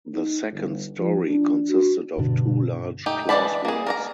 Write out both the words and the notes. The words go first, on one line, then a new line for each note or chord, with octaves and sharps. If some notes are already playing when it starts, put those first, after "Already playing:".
The second storey consisted of two large classrooms.
D#4
G1
F3
D4
F#4
G2 B2 D3 D4
A3 D#4 G4
E3 G#3 D5 A5 B5
A#3 G#4
A#4 D5 A#5